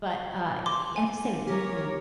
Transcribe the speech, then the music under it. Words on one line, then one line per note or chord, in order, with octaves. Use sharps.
But, uh, you have to say when it comes to when
C6 D6
G#5
G4 A#4 C#5